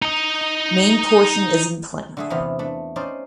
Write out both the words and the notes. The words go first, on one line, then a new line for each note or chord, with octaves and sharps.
Main portion is in plan.
D#4 D#5
D3 A3 G#4
E2 C3 B3 F5
A3 D4
C#4 D#4 C5 D5